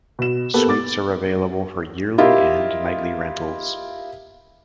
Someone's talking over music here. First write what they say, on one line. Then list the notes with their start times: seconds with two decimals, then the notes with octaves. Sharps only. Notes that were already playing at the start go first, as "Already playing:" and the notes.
Suites are available for yearly and nightly rentals.
0.19 B2 E7
0.54 A#3 B3 G4 A4
0.69 D6 A6
2.18 E4 F4 G4 A#4 D#5